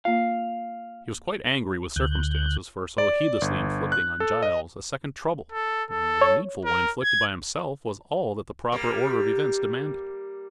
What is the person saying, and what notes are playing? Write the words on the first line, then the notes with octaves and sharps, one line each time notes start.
He was quite angry with circumstances for so heedlessly inflicting on Giles a second trouble when the needful one inflicted by himself was all that the proper order of events demanded.
A#3 F4 F5
D2 F#6 G6
D5
G1
F#6
A4
D#5
A4
A4
C#5
A#4
G#6
G3 A#3